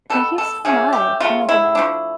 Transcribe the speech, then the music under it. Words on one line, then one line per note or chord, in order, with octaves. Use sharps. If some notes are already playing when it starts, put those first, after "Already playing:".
Thank you so much. Oh my goodness.
B2 G3 B3 A4
A4
D3 F3 A3 C#4 G#4
G4
C#3 F#3 A3 F4
E4
F3 A3 D4